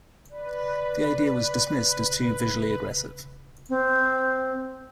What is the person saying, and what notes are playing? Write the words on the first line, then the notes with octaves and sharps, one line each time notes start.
The idea was dismissed as too visually aggressive.
B4 D5
C4